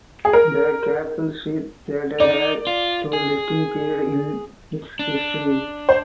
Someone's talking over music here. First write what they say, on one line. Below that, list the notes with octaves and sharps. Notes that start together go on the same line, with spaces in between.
The Capel Street Theatre had two distinct periods in its history.
G#4
A#4
D#4 D5
F4
G#4
D4
C5